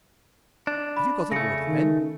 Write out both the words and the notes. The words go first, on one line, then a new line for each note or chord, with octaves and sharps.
"Have you got an order, then?"
D4
B5
C#3 A3 A#6 C#7
D#3